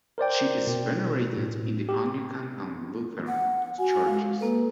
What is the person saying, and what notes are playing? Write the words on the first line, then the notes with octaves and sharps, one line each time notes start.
She is venerated in the Anglican and Lutheran churches.
A#4 C5 D5 G5
B2
A2
G4
F#5
F#4 G#5
G#3 F5
A#3 A4 B4